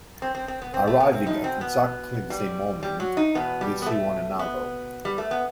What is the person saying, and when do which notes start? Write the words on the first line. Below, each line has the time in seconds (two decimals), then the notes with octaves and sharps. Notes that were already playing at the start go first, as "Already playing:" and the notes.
Arriving at exactly the same moment, they see one another.
Already playing: F#2
0.22 C4
0.35 C4
0.48 C4
0.62 B3
0.74 C4
0.87 A3
1.00 B3
1.13 C4
1.26 E2 B2 D#4
1.44 C4
1.61 B3
2.30 G3
2.83 G3
3.00 F#3
3.17 D#4
3.35 E2 B2 B3
3.61 G3
3.82 B3
3.87 A3
4.39 B3
5.05 G3
5.18 A3
5.31 B3